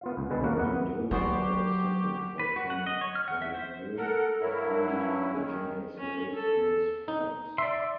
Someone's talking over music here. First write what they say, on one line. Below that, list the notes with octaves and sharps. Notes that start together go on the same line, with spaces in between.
Mendoza was second for Tom Molineaux, a freed Virginia slave, in his fights.
B3 F4 F5
C#2
B2 D3 G#3 C4 B4 A5
D#2 C#3 A#3 F4 F#4 F#5
F2 E4 G#4 A#4 B4 F#5
B3
F#3 B3 F#4 G4 C5 D5 C6
B4
F#4
F#5
D#5
C#5
F6
F#5
E5
C5
A4 A#4 F#5
G2 F#3 E4 A#4
C#4
D#3 C#4
C#4
A4
D#4
D5 E5 C6